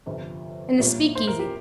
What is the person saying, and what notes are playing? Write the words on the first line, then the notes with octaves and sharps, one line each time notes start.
In the speakeasy.
G1 F2 C3 F3
A#1 A#2 G3 A#3 C#5
C5
A#4
G4